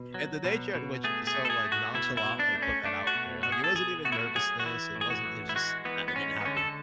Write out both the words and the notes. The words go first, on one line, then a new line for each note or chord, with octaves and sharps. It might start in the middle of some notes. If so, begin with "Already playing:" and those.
And the nature in which he just so, like, nonchalantly put that out there, like, it wasn't even nervousness, it wasn't it was just, "Nah, that didn't happen,
Already playing: B2
F#3
B2
B2
A3 G#4
G#4
A3
A4
G#4
A3
F#4
B2 E4
E4
B2
D4
A3
C#4
A3 D4
F#4
B2
B2 F#4
G#4
A4
B2 G#4
A3 F#4
E4
F#4
F#3 G#4
F#4
E3 E4
A2
G#4
F#4
E3
E4
G#3 F#4
E3 B3
B3
G#3 C#4
B3
D3 C#4
A4